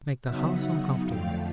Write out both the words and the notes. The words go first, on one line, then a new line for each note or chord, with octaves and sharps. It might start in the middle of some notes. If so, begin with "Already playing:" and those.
I make the house uncomfortable.
C#3 F#3 B3 D#4 E5 F#5
F2 D3 F3 A3 F5 G5